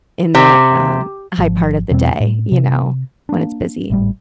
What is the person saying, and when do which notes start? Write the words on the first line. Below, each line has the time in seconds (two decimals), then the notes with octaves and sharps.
in that, um, high part of the day, you know, when it's busy.
0.35 C3
1.38 G#1 F3
1.91 E2 B2 G3 C4
2.20 A2
2.52 C3
3.29 A#3 D4
3.90 G#1 A2 G3